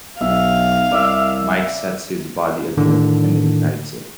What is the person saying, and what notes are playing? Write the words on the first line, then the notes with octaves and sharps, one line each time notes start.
Mike sets his body adrift and ignites it.
B1 E5 F5
C2 D5 E5
A2 D3 D#3